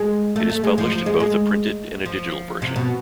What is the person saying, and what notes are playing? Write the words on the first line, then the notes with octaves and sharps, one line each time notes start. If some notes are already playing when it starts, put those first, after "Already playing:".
It is published in both a printed and a digital version.
Already playing: G#3
A3
A3
G#3
F3
F3
G#3
G#3
F3
C3
B2